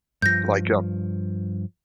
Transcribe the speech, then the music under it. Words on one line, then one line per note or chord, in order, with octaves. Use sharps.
Like, uh
G2 F3 G6 A#6